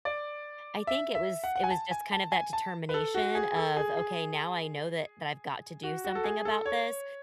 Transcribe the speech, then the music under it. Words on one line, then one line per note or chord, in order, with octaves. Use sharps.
I think it was it was just kind of that determination of, "Okay, now I know that that I've got to do something about this,"
D5
E5
E5
F#5
F#5
G#5
A5
G#5
A5
G#5
A5
B4
A4
F#4
G#4
A4
G#4
G#4
F#4
F#4
A4
G#4
A4
C#5